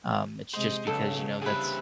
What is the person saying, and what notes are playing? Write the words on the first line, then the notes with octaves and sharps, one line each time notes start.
Um, it's just because, you know, that's
C3 G#3 C5 D#5
B1 C#3 A4
G2 C3 G#4 B4